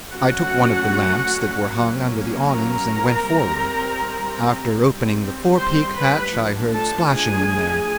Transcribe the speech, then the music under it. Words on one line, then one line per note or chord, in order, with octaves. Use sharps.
I took one of the lamps that were hung under the awnings and went forward. After opening the forepeak hatch I heard splashing in there.
F#3 A3 C#4 F#4 F#5
F#3 A#3 C#4
A#4 A#5
G3 C4
G3 C4
C5 C6
B4 B5
F3 A3 D4
A4 A5
G#4 G#5